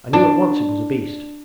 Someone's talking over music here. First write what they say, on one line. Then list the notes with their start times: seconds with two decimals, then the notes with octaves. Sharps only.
I knew at once it was a beast.
0.13 D4